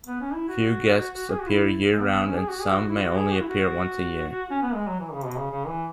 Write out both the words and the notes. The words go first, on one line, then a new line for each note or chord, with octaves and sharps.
Few guests appear year-round and some may only appear once a year.
B3
C#4
E4
F#4
G#4
F#4
E4
G#3
B3
B3
C#4
G#4
F#4
G#4
F#4
E4
F#4
G#4
F#4
E4
F#4
C#4
B3
G#3
F#3
E3
C#3
B2
C#3
C#3
E3